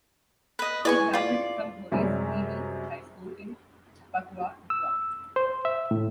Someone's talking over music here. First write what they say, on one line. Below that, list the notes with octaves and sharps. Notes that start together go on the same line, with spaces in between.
He graduated from Horace Greeley High School in Chappaqua, New York.
B4 D#5
E4 G#4 B4 D5 G#5 C#6
F4 D5
F#2 C3 G3 G#3
E6
C5
E5
A2